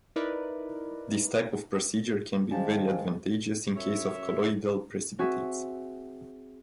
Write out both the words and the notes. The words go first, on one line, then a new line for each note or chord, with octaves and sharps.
This type of procedure can be very advantageous in case of colloidal precipitates.
D#4 E4 A#4 B4 D5
D#3 G3 G#3 C5 F5 G#5 A5
F#2 C#5 E5
C4 F#4 G#4 E5